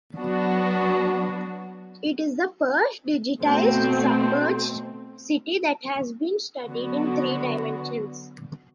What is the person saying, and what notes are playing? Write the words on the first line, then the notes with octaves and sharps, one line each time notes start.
It is the first digitized submerged city that has been studied in three dimensions.
F#3 B3 D4 F#4
B2 A3 C4
D3 F#3 B3 F#4